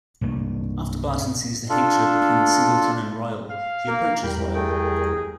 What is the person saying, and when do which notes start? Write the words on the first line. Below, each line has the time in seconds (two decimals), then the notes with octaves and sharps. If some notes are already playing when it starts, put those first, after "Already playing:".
After Barton sees the hatred between Singleton and Royle, he approaches Royle.
0.21 C2 G2 A3 A#3
1.70 D4 F4 A4
3.50 F5
3.87 A#3 A#4
4.23 E2 G3 A#4 G5 B5
4.54 A3 G#4 G5